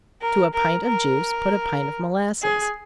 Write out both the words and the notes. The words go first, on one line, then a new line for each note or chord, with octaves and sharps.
To a pint of juice, put a pint of molasses.
A#4
A#4
A#4
G#4